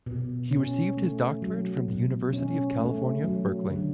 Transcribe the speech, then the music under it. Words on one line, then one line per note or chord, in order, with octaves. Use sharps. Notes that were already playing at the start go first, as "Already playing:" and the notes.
He received his doctorate from the University of California, Berkeley.
B2
C#4
A3
F#3
B2
C#4
A3
F#3
D3